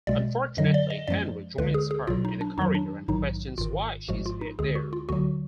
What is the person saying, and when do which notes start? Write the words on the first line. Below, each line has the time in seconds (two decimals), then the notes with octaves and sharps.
Unfortunately, Henry joins her in the corridor and questions why she is there.
0.07 B1 B2 G#3 D5
0.57 F#2 D3 F#3 D#5
0.74 D5
0.90 D#5
1.08 F#2 F3 G#3 D5
1.58 D2 D3 G#3 B4
1.74 G#4
1.91 G#4
2.07 B1 B2 F#3 F4
2.25 D#4
2.41 D4
2.58 F2 D#3 F#3 D#4
2.75 D4
3.08 A#1 G#2 D#3 F#3 D#4
3.58 G#1 G#2 D#3 F4
4.08 G#1 G#2 F3 G#3 F#4
4.26 F4
4.41 D#4
4.59 D2 D3 G#3 G#4
4.75 F#4
4.93 F4
5.09 D2 D3 F#3 F#4